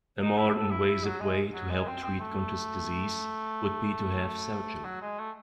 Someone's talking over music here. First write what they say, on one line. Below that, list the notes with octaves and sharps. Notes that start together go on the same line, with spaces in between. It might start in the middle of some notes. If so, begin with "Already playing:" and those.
A more invasive way to help treat Gunther's disease would be to have surgery.
D#4
E4
A4
E4
E4
F#3
G#3
F#3
G#3
C4
C4
A3
F#3
G#3
A3